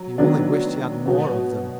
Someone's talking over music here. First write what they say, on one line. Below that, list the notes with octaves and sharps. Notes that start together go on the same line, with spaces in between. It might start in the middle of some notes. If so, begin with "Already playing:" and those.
He only wished he had more of them.
Already playing: F#3
D#3 F#3 B3 D4
B2 F#3 B3